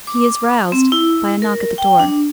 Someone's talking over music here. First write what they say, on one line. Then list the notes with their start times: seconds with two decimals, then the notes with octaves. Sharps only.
He is roused by a knock at the door.
0.07 D6
0.72 C4
0.92 E4
1.42 A#4
1.78 G5
1.99 D4